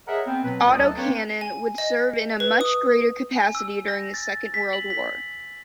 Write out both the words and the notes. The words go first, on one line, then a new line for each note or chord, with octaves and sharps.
Autocannon would serve in a much greater capacity during the Second World War.
G#4 A#4 C#5 D#5 E5 F#5
B3 C4
B2 F#3 B3 C4 B4
C#2 G#2 A#4 D5 D#6
D2 F#3 A4 D#5 A5
A#3 C4 D4 B4 C#5
G#5
D#5
B4
D#6
G#5
E6
A#6
A6
B6
F#7
B6